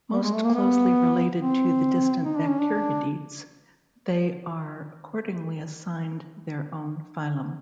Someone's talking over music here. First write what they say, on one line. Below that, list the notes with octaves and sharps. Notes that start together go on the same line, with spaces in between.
Most closely related to the distant Bacteroidetes, they are accordingly assigned their own phylum.
G3
G#3
A3
A#3
B3
C4
D#4
D4
C#4
D4